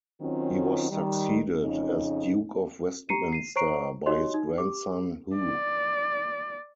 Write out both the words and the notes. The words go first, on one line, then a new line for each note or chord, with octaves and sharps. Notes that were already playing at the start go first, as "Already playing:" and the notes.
He was succeeded as Duke of Westminster by his grandson, Hugh.
D#3 F#3 C4 C#4 F4
D#3 G3
F2 C#3 C#4 D#4
G4 A#5 C7 C#7 D#7
C7 D#7
C5 C#5 A#5 C#6 C7 D7
D#4 F#4 G4 C#5 D#5 C6
D#4
G4 D6
D5